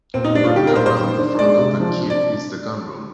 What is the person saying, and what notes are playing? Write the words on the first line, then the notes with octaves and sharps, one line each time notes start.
Running around the front of the keep is the gun room.
A#2 C4
D#4
G3 D4
F4
D#4 G4
A#4
A#2 C5
C5
D#3
D4
G#3 D5
C3
F3
D4
D5